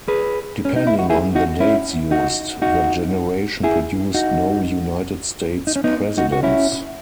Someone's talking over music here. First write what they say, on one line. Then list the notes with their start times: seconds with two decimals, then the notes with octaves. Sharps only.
Depending on the dates used, the generation produced no United States presidents.
0.08 G#4 B4
0.65 C#4
0.76 D#4
0.87 E4
0.99 F#4
1.10 E4 G#4
1.35 D#4 F#4
1.60 C#4 E4
2.11 D#4 F#4
2.62 D#4 F#4
3.63 E4 G#4
4.14 D#4 F#4
5.67 D#4
5.76 C#4
5.84 B3 D#4
6.17 D#4 F#4
6.32 F#4
6.43 C#4 E4